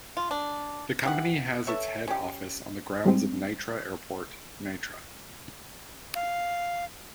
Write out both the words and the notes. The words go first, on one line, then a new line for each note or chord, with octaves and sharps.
The company has its head office on the grounds of Nitra Airport, Nitra.
F4
D4
E3 G4 F#5
A4 B4 C#5 E5
C#4 G4
G3 G#3 C4
F5